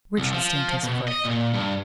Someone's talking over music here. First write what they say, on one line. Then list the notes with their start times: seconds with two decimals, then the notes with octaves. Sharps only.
Richard stamped his foot.
0.18 C2
0.34 F3
0.83 B2
1.08 D#5
1.25 A#2
1.54 G2